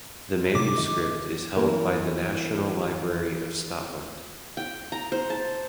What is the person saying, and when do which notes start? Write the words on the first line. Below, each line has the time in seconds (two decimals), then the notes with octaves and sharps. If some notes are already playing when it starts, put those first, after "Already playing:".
The manuscript is held by the National Library of Scotland.
0.55 C3 D6
0.78 D#3 A3 D#5
1.56 E3 A#3 B3 A#4
4.57 G5
4.92 A#5
5.12 C5
5.30 A5